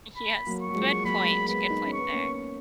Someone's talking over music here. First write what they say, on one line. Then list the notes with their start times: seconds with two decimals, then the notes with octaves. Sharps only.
Yes. Good point. Good point there.
0.17 B5
0.46 F#3 A#3
0.61 C#6
0.69 F#3
0.75 F3 G#3
1.04 F#3 A#3 B5
1.22 G#3
1.27 F#3 A#3
1.43 A#3
1.48 G#3 B3 B5
1.70 D#4
1.85 C#4
1.92 C#6
1.98 B3
2.12 A#3 C#4